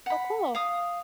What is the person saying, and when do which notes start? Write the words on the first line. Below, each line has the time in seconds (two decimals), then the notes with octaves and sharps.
Oh, cool.
0.06 F#5 B5
0.55 F5 D#6